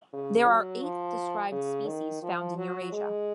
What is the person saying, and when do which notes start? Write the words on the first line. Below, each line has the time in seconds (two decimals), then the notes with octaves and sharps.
There are eight described species found in Eurasia.
0.13 C#3
0.48 F#3
0.82 F3
1.52 C#3
1.87 D#3
2.23 F3
2.57 F#3
2.92 G#3